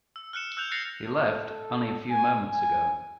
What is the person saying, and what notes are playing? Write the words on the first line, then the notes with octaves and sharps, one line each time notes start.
He left only a few moments ago.
E6
F6 F#6 C#7 E7
E6 F#6 G6 F7
F#6 A6 A#6 C7 C#7 F7
A4
G#5
G#5